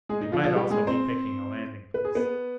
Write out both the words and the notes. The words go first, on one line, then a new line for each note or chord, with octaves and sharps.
They might also be picking a landing place.
G#3 G#4
D#4
F3 F4
F3 F4
G3 G4
G#3 G#4
C4 C5
B4
G#4
B3 B4